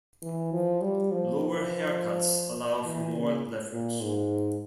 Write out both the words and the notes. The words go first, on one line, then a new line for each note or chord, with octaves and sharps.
Lower haircuts allow for more leverage.
E3
F3
G3
F3
E3
C#3
A#2
G#2